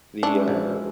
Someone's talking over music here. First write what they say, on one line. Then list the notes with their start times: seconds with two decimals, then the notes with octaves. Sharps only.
the, uh
0.23 G#3 C#4 D4 E4 G#4
0.48 A#1 F#4 B4